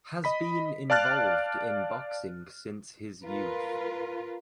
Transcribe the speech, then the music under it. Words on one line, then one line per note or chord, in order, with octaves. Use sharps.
Has been involved in boxing since his youth.
D#5 B5 B6
D5 F5 A5 F6 F#6 A6
F4 A#4 B4